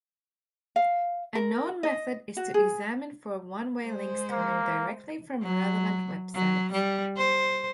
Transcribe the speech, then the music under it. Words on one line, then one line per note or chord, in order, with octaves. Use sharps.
A known method is to examine for one-way links coming directly from relevant websites.
F5
A#4
D#5
F#4
G#4
G#3 C5
A#3
F#3
F#3
G3
C5